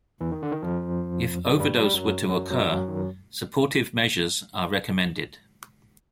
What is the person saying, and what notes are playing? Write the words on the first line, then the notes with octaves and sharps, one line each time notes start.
If overdose were to occur, supportive measures are recommended.
E2 E3
D#3
D3
D#3
F2 F3
F#2 F#3
G2 G3
F#3
G3
F#2 F#3
F#2 F#3
F#2 F#3
F#2 F#3
D#3